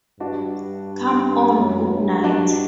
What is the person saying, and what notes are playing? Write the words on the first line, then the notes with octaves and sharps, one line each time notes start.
Come on, good night!
G2 D4 F#4
F#2
G2
D4 F#4